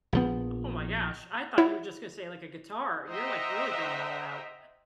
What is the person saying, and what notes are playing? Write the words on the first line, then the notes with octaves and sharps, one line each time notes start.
Oh my gosh. I thought you were just gonna say, like, a guitar. You're, like, really going all out.
A#1 F3 B3
E4 C#5 F#5
C5 D#5 E5 F#5 G5 A#5